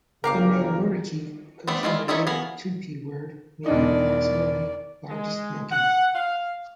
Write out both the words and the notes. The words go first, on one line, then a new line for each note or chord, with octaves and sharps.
The name "muriqui" comes from a native Tupi word meaning approximately 'largest monkey'.
G1 C#3 G4 A#4 F5 D6
A3 B3 C4 D4
G3 G#3 E4 F4
C#4 D#4 E4 G#4 A4
B3 F#4 F5 G#5
E1 D4 D#4 D5
G#3
F#5
F5